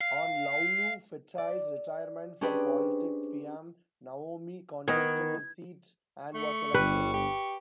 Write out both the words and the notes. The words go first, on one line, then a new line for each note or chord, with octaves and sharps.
On Laulu Fetaui's retirement from politics Fiame Naomi contested the seat and was elected.
F5
D5
C#4 D4 G4 G#4 B4 C5
D#3 B3 B4 D#5 G#6
A3 C#6
G1 G3 B4
G4